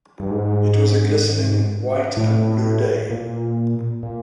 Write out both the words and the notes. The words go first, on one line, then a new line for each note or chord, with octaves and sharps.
It was a glistening, white-and-blue day.
G2
G#2
A2
A#2
A#2